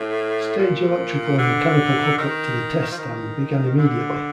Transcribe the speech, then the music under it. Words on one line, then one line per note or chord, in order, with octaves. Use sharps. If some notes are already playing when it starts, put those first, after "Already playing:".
Stage electrical and mechanical hook-up to the test stand began immediately.
Already playing: A2
A#2
D3
D#3
F3
D#3
D3